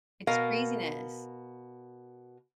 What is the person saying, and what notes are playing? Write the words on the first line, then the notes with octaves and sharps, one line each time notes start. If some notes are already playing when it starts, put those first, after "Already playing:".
It's craziness.
B2 A#4 F5